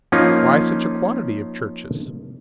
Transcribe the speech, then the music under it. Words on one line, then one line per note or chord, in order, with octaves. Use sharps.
"Why such a quantity of churches?"
F3 A#3 C#4 D#4 F4